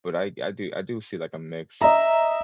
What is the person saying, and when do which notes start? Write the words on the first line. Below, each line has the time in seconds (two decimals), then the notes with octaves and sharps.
But, I I do I do see, like, a mix.
1.81 D#5 E5 A#5